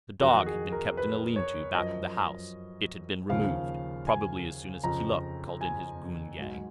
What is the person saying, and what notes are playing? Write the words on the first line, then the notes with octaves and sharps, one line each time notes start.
The dog had been kept in a lean-to back of the house; it had been removed, probably as soon as Keeluk called in his goon-gang.
F2 D#3 F#3 F#4
G#4
A#4
B4
C#5
F#2 F3 D#5
D#2 C#3 F3 F5
G#5
F2 C#3 F3 A#5
G#5
G#2 F#3